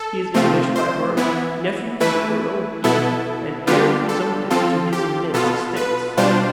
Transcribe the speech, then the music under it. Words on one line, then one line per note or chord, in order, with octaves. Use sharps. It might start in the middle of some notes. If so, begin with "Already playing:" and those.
He is English by birth, nephew to the Earl of E., and heir presumptive to his immense estates.
Already playing: A4
C3 F3 A3 C4 F4
C5
E3 B3 E4
E3 A3 E4 B4
B2 B3 E4 A4
D3 G3 B3 D4 F4 G4
A4
F3 C4 F4 A4
G4
B2 B3 F4 A4
B4
B2 G3 D4 F4 C5